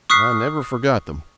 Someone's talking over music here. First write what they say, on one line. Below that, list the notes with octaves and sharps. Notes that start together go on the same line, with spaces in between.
I never forgot them.
C#6 D#6 F6 F#6 B6 C7